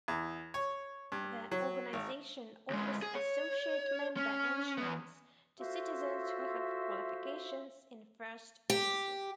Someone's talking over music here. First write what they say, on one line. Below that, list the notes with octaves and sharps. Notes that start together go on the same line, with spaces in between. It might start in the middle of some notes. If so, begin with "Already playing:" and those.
The organisation offers associate member insurance to citizens who have qualifications in First Aid.
E2
C#5
G2
F#3
G#1
D2 G#3
G#4
C#5
C#4
E2 B3
F4 F#4 A4 C5 E5
G4